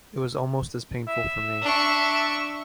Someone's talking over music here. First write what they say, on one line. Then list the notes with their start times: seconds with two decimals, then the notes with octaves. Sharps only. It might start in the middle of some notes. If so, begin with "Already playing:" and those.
It was almost as painful for me.
1.08 E5
1.62 D4 C#6